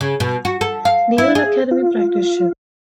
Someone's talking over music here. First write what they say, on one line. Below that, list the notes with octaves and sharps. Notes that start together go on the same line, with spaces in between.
Naval Academy Practice Ship.
C#3
B2
F#4
A4
F5
E4
G#4
F4